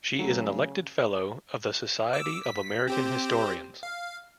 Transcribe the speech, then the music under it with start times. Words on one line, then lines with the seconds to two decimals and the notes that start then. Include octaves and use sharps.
She is an elected Fellow of the Society of American Historians.
0.19 C#3 F#3 A3
2.13 D6 E6
2.43 B6
2.88 C4 G4 C5
3.83 F5